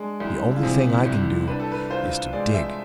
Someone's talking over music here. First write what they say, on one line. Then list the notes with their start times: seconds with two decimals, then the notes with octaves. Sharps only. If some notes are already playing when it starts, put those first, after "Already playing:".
The only thing I can do is to dig.'
Already playing: G#3 D4
0.20 C2
0.42 D4
0.49 E4
0.56 F4
0.63 C3 G#4
1.05 C2
1.48 D4 B4
1.60 A4
1.72 B4
1.90 F4 C5
2.33 G#3 D5
2.54 E5